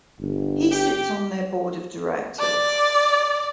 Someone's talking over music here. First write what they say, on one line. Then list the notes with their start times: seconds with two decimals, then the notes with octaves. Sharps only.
He sits on their board of directors.
0.20 G1
0.71 G4
2.40 D5